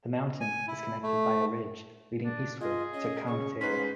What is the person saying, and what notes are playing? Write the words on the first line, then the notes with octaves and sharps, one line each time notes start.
The mountain is connected by a ridge leading eastward to Kangtega.
G#5
E4
A3
D4
F4 G#4 D#5
C#4 D#5
C#3 C#6
G#2 C#4 D#4 B4 C6 B6